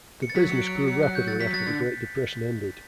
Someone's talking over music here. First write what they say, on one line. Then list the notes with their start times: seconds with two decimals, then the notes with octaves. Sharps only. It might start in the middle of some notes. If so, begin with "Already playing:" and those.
The business grew rapidly after the Great Depression ended.
0.22 C#7
0.30 A6
0.36 F#3 B6
0.49 F#3 C#7
0.62 D7
0.75 C#7
0.88 C#7
1.03 F#6
1.15 G6
1.28 A6
1.41 F#3 B6
1.54 F#3 A6
1.67 D3 A6